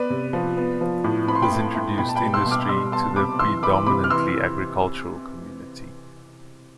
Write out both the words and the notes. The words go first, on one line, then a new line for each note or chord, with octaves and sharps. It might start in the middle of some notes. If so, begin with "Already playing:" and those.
This introduced industry to a predominantly agricultural community.
Already playing: B3 B4 D5
C3
F3
B3
F3
A2
C4 B5
C6
G5 B5
A3
A3
B2 G5 B5
A5
G5 B5
G3
C6 E6
B2
D6 F6
G3 C6 E6
B3 A5 C6
C3 B5 D6
E3 C6 E6
E3 B5 D6
C3 B5 D6
F6
E3 C6 E6